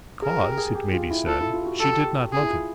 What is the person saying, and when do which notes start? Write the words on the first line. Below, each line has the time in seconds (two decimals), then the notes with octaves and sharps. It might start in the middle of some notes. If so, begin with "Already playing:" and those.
Because, it may be said, she did not love him.
0.22 G#4 A#4
0.40 G4
0.58 G#4
0.75 G4
0.92 F4
1.10 E4
1.27 F4 A4
1.41 E4
1.53 F4
1.61 G4
1.66 F#4
1.80 G4 A4
1.98 G4
2.32 G#4
2.41 E4
2.50 F4